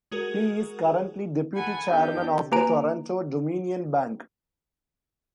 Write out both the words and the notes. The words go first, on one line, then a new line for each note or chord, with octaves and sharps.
He is currently Deputy Chairman of the Toronto-Dominion Bank.
G#3 F#4 G#4 A#4
A4 F#5 G#5 B5
B3 D4 D#4 G4 A4 G6
A#3 G4 B4 G#5 A#5 D7